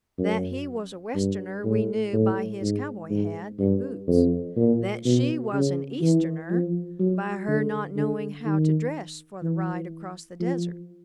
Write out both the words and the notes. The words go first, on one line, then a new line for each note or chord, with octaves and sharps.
That he was a Westerner we knew by his cowboy hat and boots; that she was an Easterner, by her not knowing how to dress for the ride across the desert.
F#2
G2
A2
A2
G#2
G#2
G2
F2
A#2
B2
C#3
E3
F3
F#3
D3
D3
D#3
E3
F3